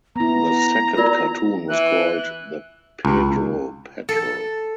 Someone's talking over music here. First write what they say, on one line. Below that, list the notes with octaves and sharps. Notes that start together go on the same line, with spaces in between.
The second cartoon was called "The Pedro Patrol".
B3 E4 A#5
F4 A#4 D5
E3 F#6
C#2
A4